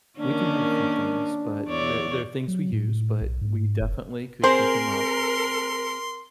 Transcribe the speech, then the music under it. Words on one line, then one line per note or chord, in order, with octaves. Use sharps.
we do have a few things, but they're they're things we use, but we definitely could give them up
D#3 A#3 C#4 D4
E2 C#5 D5
F#3
A2
B1
G#2
F#1
C4 G#4 A#4 C5 C6